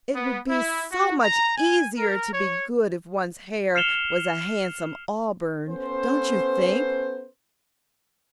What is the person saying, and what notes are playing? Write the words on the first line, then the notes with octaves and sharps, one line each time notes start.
It would be so much easier to be good if one's hair was a handsome auburn, don't you think?
B3
E4
F#4
A#5
G#5
A#4
C#5
F6 C7 C#7 E7 F7 G7
B3 C#4 A4 B4 C5